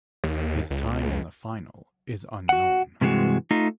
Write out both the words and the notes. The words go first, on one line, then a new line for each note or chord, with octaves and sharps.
His time in the final is unknown.
D#2
C#2
F#4 F#5
G2 C3 E3 G#3 F#4
A3 D#4 F4